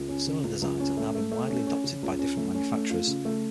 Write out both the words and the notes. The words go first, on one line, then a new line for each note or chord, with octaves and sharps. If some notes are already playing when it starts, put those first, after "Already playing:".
Similar designs have now been widely adopted by different manufacturers.
Already playing: C#2
C#4
C#3
C#2
C#2
C#4
A3
A3
A3
C#4
C#4
C#3
C#2
C#4
A3
C#4
A3
F4
C#3
A3